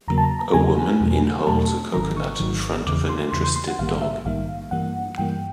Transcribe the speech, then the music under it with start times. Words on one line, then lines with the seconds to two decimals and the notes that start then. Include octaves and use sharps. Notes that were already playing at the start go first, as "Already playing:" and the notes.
A woman in holds a coconut in front of an interested dog.
0.08 E2 C#3 F#3 A#3 A#5
0.18 A5
0.24 A#5
0.39 A#5
0.54 E2 C#3 F#3 A#3 G#5
1.01 E2 B2 F#3 A3
1.47 E2 B2 F#3 A3 A5
1.93 G#1 G#2 D#3 F#3 A#5
2.17 C#6
2.40 G#1 G#2 D#3 F#3
2.86 E2 C#3 E3 D6
3.09 C6
3.32 E2 C#3 E3 C6
3.44 C6
3.56 C6
3.68 F#5
3.79 A#1 G#2 D#3 G3 A#3 F5
4.02 E5
4.25 A#1 G#2 D#3 G3 A#3 F5
4.71 G2 E3 G3 A#3 F#5
5.18 G2 E3 G3 A#3 G5